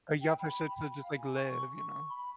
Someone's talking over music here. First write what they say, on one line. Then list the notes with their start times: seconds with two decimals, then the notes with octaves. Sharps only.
Uh, yeah, for sure to just like live, you know.
0.21 G5
0.39 B5
0.96 F5
1.17 G#5
1.34 C#6
1.72 C#6
2.09 B5